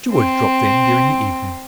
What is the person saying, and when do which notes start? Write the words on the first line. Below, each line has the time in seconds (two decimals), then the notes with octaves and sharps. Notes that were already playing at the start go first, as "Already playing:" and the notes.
George dropped in during the evening.
0.10 C4